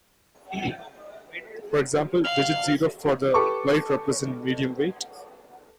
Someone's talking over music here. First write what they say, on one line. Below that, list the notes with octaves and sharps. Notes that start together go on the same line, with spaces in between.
For example, digit zero for the weight represents medium weight.
F5 F6 F7 F#7
G4 A4 B4 C#6 D6